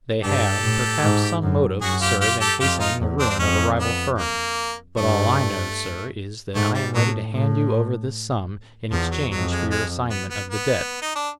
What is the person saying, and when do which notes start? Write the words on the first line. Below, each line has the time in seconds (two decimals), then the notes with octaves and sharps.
They have, perhaps, some motive to serve in hastening the ruin of a rival firm. But all I know, sir, is, that I am ready to hand you over this sum in exchange for your assignment of the debt.
0.24 G2 G4 A4
0.63 A2
1.03 G#2
1.42 F#2
1.81 F#2 F#4 G#4
2.01 F4 G4
2.21 F4 G4
2.40 G4 A4
2.60 F2 F4 G4
2.80 D#4 F4
3.00 E2
3.20 C4 D4
3.30 C4
3.39 F2 C#4
3.79 B3
4.18 A#3
4.97 G2 A3
6.55 G#2 A3
6.74 G3
6.95 A2 F#3
7.34 A2
8.91 E2 F3
9.11 F#3
9.31 F2 F#3
9.51 G#3
9.71 G#3
10.10 B3
10.30 B3
10.50 B3
11.02 D#4
11.16 D4